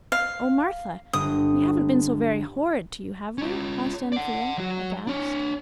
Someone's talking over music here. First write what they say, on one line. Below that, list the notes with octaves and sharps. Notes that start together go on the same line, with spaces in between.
'Oh, Martha, we haven't been so very horrid to you, have we?' asked Anthea, aghast.
F5
G1 D#6
C#4 F4
D5 F#5
F#3 F#4
D4 C#5